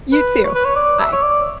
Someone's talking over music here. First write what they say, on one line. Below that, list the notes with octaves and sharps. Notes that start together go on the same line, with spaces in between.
You, too. Bye.
B4
C#5
B4
C#5
D5
E5
C#5
D5